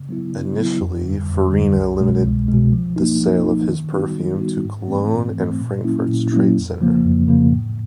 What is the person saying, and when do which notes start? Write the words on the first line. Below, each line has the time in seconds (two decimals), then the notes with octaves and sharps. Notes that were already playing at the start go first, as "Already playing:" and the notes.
Initially, Farina limited the sale of his perfume to Cologne and Frankfurt's trade centre.
Already playing: C#3
0.09 F#3 B3 E4
0.32 C#3
0.57 F#3 B3 E4
0.80 F2
1.04 D3 G3
1.29 F2
1.52 D3 G3
1.76 C2
2.01 B2 G#3
2.24 C2
2.48 B2 G#3
2.73 F3
2.96 A#3 D#4
3.20 F3
3.44 A#3 D#4
3.68 D#3
3.93 G3 B3 D#4 F#4
4.16 D#3
4.40 G3 B3 D#4 F#4
4.64 G#2
4.88 E3 A3 C4
5.12 G#2
5.36 E3 A3 C4
5.61 A#2
5.84 F#3 A#3 C#4 E4
6.09 A#2
6.32 F#3 A#3 C#4 E4
6.56 F2
6.80 C#3 F3 A#3
7.04 F2
7.28 C#3 F3 A#3
7.52 A2